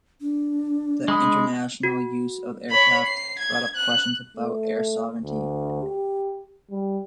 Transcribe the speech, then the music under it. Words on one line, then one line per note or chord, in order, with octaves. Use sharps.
The international use of aircraft brought up questions about air sovereignty.
D4
G#3 B5 D#6
F#4
C#5 B5
C7
G#6
F#6
A3
D2
G4
G3